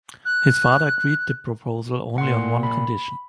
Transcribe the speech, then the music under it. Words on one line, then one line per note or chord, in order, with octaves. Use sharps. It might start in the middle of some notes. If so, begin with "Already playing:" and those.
His father agreed the proposal only on one condition.
F#6
A#2 F#5 C6
B5